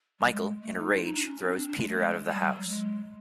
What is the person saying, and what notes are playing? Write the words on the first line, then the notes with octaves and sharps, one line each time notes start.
Michael, in a rage, throws Peter out of the house.
G3
G#3
A3
D#4
F4
D#4
D4
C#4
C4
C#4
D4
D4
G#3
A3
G#3
G#3
G3
G3
F#3
G#3